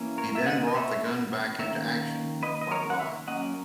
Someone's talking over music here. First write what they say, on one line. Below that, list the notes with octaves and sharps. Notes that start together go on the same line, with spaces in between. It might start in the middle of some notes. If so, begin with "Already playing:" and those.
He then brought the gun back into action in the front line.
Already playing: E3 A#3 C#4
A#4 C#5
E5
D#5 F#5
D#5
C#5 E5
D#3 A#3 C#4 C#5 E5
B4 D#5
D#5
A#4 C#5
F#5
C#5 E5
F#3 A#3 C#4 D#5 F#5